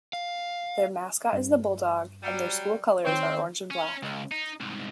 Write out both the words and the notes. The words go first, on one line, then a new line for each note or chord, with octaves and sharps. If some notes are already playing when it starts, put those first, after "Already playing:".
Their mascot is the bulldog, and their school colors are orange and black.
F5
G2
F#3 G3
D#3 C4 C#5
C#4
C#2
D#4
C2 G#2